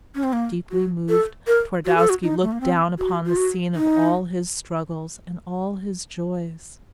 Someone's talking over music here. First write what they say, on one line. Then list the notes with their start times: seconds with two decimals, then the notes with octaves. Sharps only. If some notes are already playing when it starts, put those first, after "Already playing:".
Deeply moved, Twardowski looked down upon the scene of all his struggles and all his joys.
0.15 C#4
0.24 C4
0.33 A#3
0.71 F#4
1.09 A4
1.47 A#4
1.86 F#4
1.97 A4
2.10 F#4
2.23 D#4
2.42 A3
2.52 A#3
2.61 C4
2.99 F#4
3.26 F4
3.37 F#4
3.75 D#4